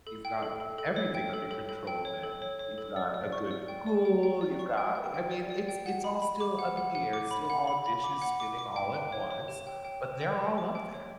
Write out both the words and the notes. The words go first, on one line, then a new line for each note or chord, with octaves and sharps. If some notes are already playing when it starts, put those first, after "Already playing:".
you've got everything under control then. You've got a good school, you've got I mean, it's it's all still up in the air, it's still all dishes spinning all at once, but they're all up there
A4
G5
A4
A4
A4
C#5
G5
A4
A4
A4
G5
C#5
A4
C#5
C#5
A4
D5
D5
C#6
D5
G5
D5
G5
G5
D5
C#6
G5
G5
G5
D5
D5
G5
F#5
B5
B5
D6
F#5
F#5
F#5
D6
B5
F#5
B5
B5
D6
F#5
D6
D6
G5
G5
C#5
C#5
G4
G5
G5
G4
G5
G4
D6
G5
C#5